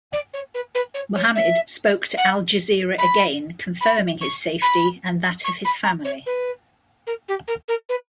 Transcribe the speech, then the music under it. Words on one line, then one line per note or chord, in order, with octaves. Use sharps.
Muhammad spoke to Al Jazeera again confirming his safety and that of his family.
D5
C#5
B4
B4
C#5
C#5
E5
F#5
B5
B5
C#6
B5
C#6
B5
A#5
C#5
B4
A#4
G4
A#4
A#4
B4